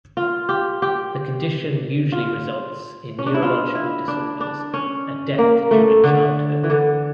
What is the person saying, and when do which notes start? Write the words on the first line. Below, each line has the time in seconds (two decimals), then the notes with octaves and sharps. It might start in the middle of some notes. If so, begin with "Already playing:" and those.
The condition usually results in neurological disorders and death during childhood.
0.17 F4
0.49 G4
0.82 G4
2.12 F4
3.19 C#4
3.26 D4
3.34 E4
3.42 F4
3.75 E4
4.08 D4
4.41 D4
4.74 C#4
5.38 A#3
5.71 A3
6.04 D3
6.63 E3
6.70 D3